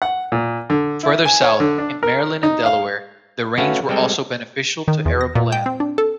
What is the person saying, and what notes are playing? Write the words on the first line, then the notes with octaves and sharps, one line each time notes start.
Further south, in Maryland and Delaware, the rains were also beneficial to arable land.
F#5
A#2
D3
E4
G#5
C#5
D3
D4
A#4
D#4
F5
A3 C#4 F#4 B4 F5 A5
G3 G#3 C4 A4 G5
D#3
E2
A#6
A#2
G5
C4
D4
A4